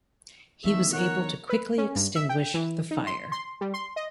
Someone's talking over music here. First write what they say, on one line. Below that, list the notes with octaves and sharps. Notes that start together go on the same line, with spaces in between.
He was able to quickly extinguish the fire.
E2 D#3 A3 E5
A#4 C#5 F#5
B4
C#4
G2
E5
G5
E3
D#4
C6
C6
G3
C6
D#5